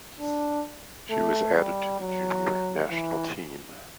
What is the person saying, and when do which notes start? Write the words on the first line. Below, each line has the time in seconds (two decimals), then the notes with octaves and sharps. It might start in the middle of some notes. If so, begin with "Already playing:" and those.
She was added to the junior national team.
0.20 D4
1.10 A3
1.56 G3
2.01 F#3
2.91 E3